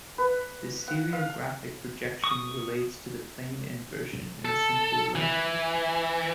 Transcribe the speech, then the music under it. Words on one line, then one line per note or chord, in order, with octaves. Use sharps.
The stereographic projection relates to the plane inversion in a simple way.
B4
F#5
F5
C#6 D#6
A4
E3